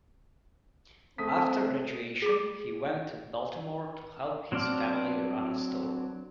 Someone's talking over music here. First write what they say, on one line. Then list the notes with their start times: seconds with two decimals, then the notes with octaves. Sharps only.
After graduation, he went to Baltimore to help his family run a store.
1.18 A3 C4 D#6 B6
2.22 G#4 D6
4.52 F#3 C4 D4 D5 F6